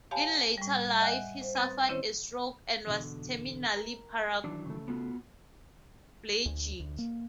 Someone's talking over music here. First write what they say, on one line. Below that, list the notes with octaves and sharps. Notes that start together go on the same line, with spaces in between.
In later life he suffered a stroke and was terminally paraplegic.
G4 C#5 F5 G#5 A5 B5
A2 G3
D#5 E5 F#5 G#5 F#6 G6
C5
C4 B4 D#6 A6
D#3 C4 C#4 E4 C5 C#5
E2 B2 D3
A#4
D#3 E3 F#3 D4
C#3 A3
B3 F4 F#4
D2
D2
A#3